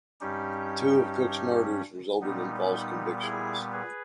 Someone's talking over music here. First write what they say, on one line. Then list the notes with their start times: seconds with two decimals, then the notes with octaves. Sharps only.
Two of Cooke's murders resulted in false convictions.
0.21 G2 G3 C#4 D#4 G4
2.21 A#2 G3 B3 D#4
2.72 D#4
3.22 E4 G#4
3.72 G#4 B4